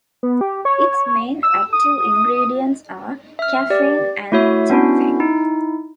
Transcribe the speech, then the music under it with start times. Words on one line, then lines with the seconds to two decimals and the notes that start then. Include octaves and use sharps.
Its main active ingredients are caffeine and ginseng.
0.23 B3
0.41 G4
0.65 C#5
1.43 E6
1.73 D#6
3.39 E5 F6
3.70 G4 D5
4.32 A3 E4 F#4 C#5 E5
4.70 B3 C#4 D4 E4 F#4
5.20 D#4 E4